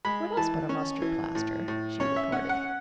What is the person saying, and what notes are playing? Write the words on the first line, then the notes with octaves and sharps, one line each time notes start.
"What else but a mustard-plaster!" she retorted.
G#3 B5
E3 A5
C#4
E3
A2
A2
C#4 C#5
E5
C#4 F#5
F#5